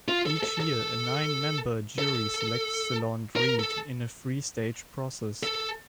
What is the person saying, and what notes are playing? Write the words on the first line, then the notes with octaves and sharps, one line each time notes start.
Each year, a nine-member jury selects the laureate in a three-stage process.
F4
A4
A4
A4
A4
A#4
A4
A4